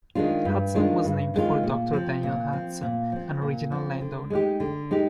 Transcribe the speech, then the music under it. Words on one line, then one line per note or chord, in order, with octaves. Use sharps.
Hudson was named for Doctor Daniel Hudson, an original landowner.
D#3 G#3 D4 F4
G2
D#3 G#3 D4 F4
G2
D#3 G#3 D4 F4
A#2
F3 C4
A#2
F3 C4
A#2
F3 C4
A#2
F3 C4
D3
G#3 D#4 G4
D3
G#3 D#4 G4